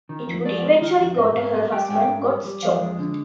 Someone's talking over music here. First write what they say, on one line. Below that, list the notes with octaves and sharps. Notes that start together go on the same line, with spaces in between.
It would eventually go to her husband Gottschalk.
D#3
F2
F2 D5
G#3
D#3
F2
G#2 D#5
G#2 F5
G3 D#5
G3 G5
G#2 G5
G#2
G3
G3
F2 F5
G#3
D3